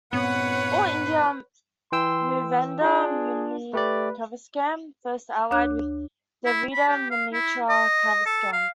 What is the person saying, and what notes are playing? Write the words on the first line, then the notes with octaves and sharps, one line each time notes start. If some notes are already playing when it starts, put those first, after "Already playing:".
All India Moovendar Munnani Kazhagam first allied with Dravida Munnetra Kazhagam.
G2 A#2 B3 C4 B4 C#5 F#5
E3 G5 C6 E6
D4 F4 G#4
A3 G4 B4 D5
D2 D4 C#5 D6 F#6
E4
B5
G4
F5
E4
D#5
A4
F5